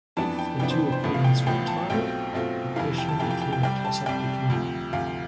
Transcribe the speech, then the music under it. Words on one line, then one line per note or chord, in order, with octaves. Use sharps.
If the two opponents were tied, the question became a toss-up between them.
F2 E3 B3 D4 A5
G5
F2 E3 B3 D4 G5
C5
C5
A1 A2 F3 B3
F5
G5
A1 A2 F3 B3 G5
A5
B1 B2 A3 C4 F4 G5
B1 B2 A3 C4 F4
F1 F2 E3 F5
G5
A5
F1 F2 E3 G5
G5
G5
G5
C2 C3 G3 G5
A5
C2 C3 G3 G5
D2 C3 F3
D2 C3 F3 F5